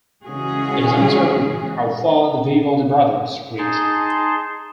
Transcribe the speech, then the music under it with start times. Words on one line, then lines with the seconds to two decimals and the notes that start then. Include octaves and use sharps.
It is uncertain how far the Vivaldi brothers reached.
0.24 C#3 E3 G#3 C#4 F#4 G#4
3.58 D#4 G#4 A5 C6